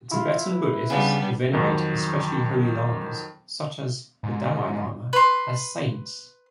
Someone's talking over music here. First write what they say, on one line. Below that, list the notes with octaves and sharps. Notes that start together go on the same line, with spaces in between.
Tibetan Buddhists venerate especially holy lamas, such as the Dalai Lama, as saints.
E4 F4
B4
C#3 G3 B3 D4
F2 D#3 F#3
G#2
B4 C6